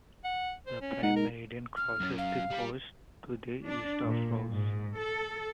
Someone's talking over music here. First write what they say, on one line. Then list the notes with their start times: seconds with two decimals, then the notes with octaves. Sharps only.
The Prime Meridian crosses the coast to the east of Roos.
0.24 F#5
0.67 C5
0.81 C#4
1.03 G#3 D#4 F#5
1.16 A#4
1.76 F6
2.00 F#2 C#4
2.18 F5
2.51 G3
3.65 D4
4.04 A#2
4.48 G#2
4.96 A4